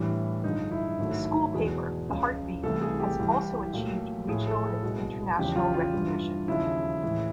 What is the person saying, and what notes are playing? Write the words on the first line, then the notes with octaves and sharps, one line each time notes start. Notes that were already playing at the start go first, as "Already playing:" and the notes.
The school paper, The Heart Beat, has also achieved regional and international recognition.
Already playing: A2 E3 G3 D4
G2 D3 F3 G#3 D#4
E4
G#2 D#3 F#3 A3
E2 B2 G#3 G#4
C#2 C#3 F3 G#3
C2 C3 E3 A3 A4
G#4
G4
C2 C3 E3 G3
A#2 F#3 A3
A2 F3 A3 G#4
A4
G#4
C2 B2 G#3
E2 C#3 F3 G#3 G4
F4
F4
G2 E3 G3
D#2 C#3 F3 G#3 E4
A2 E3 G#3